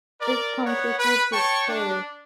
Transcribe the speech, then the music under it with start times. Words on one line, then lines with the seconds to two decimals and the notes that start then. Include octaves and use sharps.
Its county seat is Perry.
0.20 A#4 D5
0.65 B3 C#5 F#5
0.98 B4
1.33 C#5 G5 A5 C#6
1.68 D4